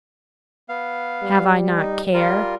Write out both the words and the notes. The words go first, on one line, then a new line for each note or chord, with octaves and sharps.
Have I not care?
B3 F5
G3
D#4
G3 F4 A#4